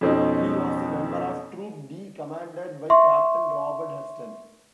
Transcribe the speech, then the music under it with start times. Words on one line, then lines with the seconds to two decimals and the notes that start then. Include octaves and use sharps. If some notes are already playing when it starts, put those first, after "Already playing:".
He was a member of Troop D commanded by Captain Robert Huston.
0.01 F2 B2 C4 C#4 D#4
2.90 E5 C6 C#6